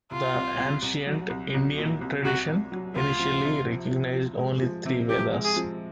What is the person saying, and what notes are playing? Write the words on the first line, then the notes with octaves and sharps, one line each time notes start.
The ancient Indian tradition initially recognized only three Vedas.
C2 F4
C2
C2
C2
F#3
C2
C2
A#2
C2
C2 F#4
C2
F#3
D2 F4
F3
C3
F3
F3
F3
G#3
F3
C3
F3 G4
G#3
G#4
F3